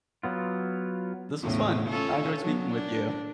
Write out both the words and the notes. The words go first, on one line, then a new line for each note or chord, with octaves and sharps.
this was fun. I enjoyed speaking with you.
F#3 B3 F4
E2 A2 C#3
C#4 F4 A4
F#3 B3
D4